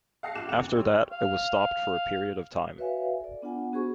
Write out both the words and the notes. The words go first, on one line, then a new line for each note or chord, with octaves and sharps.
After that, it was stopped for a period of time.
F5 F#5 A5 F6 A#6 C7
A#1 F4 G#4 D6 F#6 E7
G#1 E2 F#5 E7 F7
D2
G4 C#5 G5 C6 E6
F5
F#4 B4 C#5 E5 F5 G#5
A4 D5
B3 D4 F4 F#5 G#5
A#3 B3 F#4 G#4 C5 C#6